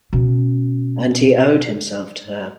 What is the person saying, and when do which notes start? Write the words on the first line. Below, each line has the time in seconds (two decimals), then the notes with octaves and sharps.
And he owed himself to her.
0.13 B2 C#4